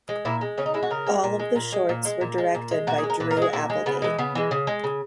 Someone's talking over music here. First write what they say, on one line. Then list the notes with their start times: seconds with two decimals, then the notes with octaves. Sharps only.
All of the shorts were directed by Drew Applegate.
0.09 G#3
0.25 A#2 E4
0.41 G#3
0.58 C#3 C#4
0.66 D#4
0.74 G#3 E4
0.83 F#4
0.90 C#3 A#4
1.07 G#3
1.23 A#2
1.39 G#3
1.56 A#2
1.72 G#3
1.89 A#2
2.05 G#3
2.21 A#2
2.38 G#3
2.55 A#2
2.71 G#3
2.87 A#2 F#4
2.98 G#4
3.03 G#3
3.10 A#4
3.20 A#2 B4
3.31 A#4
3.37 G#3
3.42 G#4
3.53 A#2 E4
3.70 G#3
3.86 C#3 B3
4.02 E3 G#3
4.18 C#3 B3
4.35 E3 G#3
4.51 C#3
4.67 G#3
4.84 C#3